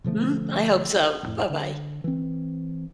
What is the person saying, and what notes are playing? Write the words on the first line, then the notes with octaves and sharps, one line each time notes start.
Mm, I hope so. Bye-bye.
B2 D3 F3 A3
A1 F2 A2
D3
E3 C4